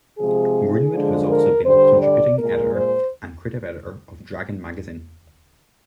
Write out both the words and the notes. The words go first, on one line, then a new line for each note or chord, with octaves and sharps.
Greenwood has also been contributing editor and creative editor of "Dragon" magazine.
C3 F3 G#3 G#4
D3 F3 G#3
A#4
D3 G3 C5
D5
A#2 G#3 A#4
C5